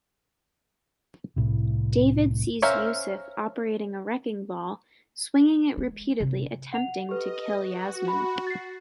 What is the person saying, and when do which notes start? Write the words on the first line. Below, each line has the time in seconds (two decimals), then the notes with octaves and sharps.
David sees Yussef operating a wrecking ball, swinging it repeatedly attempting to kill Yasmin.
1.36 C2 A2 C3
2.62 C#4 A#4 C5 E5 F5
5.77 G#3
6.20 C3
6.73 F#5 F7
7.09 G4 A4 B4 D#5
7.57 F#4
8.08 B5
8.47 A6 C7